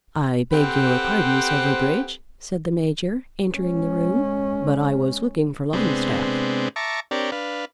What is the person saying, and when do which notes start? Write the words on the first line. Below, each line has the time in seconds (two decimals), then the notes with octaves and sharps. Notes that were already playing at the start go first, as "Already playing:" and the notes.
"I beg your pardon, Silverbridge," said the Major, entering the room, "but I was looking for Longstaff."
0.52 C4 G4 A4 B4 C5 F#5
3.55 G#3 C#4
5.73 C3 G#3 B3 C4 D4
6.76 E5 A5 A#5 C#6 D6
7.11 C4 D4 G4 A#4 C#5 D5
7.32 D4 B4 F5